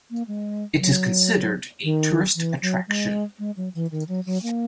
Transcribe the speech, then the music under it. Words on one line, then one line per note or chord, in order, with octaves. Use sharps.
It is considered a tourist attraction.
A#3
G#3
F#3
D#3
E3
F#3
G#3
G#3
F#3
E3
D#3
F#3
F#3
A#3